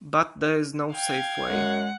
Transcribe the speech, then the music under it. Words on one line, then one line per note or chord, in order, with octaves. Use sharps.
But there is no safe way.
F5 G5 G#6
F#2 G#3 F#5